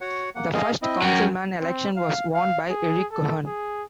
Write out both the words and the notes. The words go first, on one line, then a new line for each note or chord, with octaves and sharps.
The first councilman election was won by Eric Cohen.
F#4 C#5 F#5
A#3 F#5
G#4 D#5 F5
C4 E4 D#5
F#2 F#3 G5 C#6
C4
F5
F5
G#4
A4
G#4